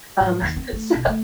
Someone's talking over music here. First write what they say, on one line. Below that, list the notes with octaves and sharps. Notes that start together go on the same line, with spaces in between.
Um, so
G#2
D#2 D#3
C4
A3
B1
A3